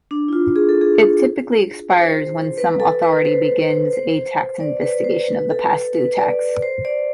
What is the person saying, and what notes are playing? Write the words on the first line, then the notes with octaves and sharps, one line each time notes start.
It typically expires when some authority begins a tax investigation of the past-due tax.
D4
E4
F4
G#4
A4
G#4
C5
B4
A4
B4
C5
C5
D5
B4
C5
B4
A4
B4
D5
C5
D5